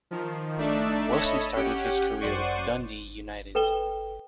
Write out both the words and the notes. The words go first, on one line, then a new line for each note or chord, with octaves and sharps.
Wilson started his career with Dundee United.
D#3 F3
A3 D4 D#4 D5 E5
A4 C#5 D#5 E5 B5
C#4 G4 F#5 G5
F#2 C5 D5 F#5 C#6 D#7
A4 B4 G5 E7 G7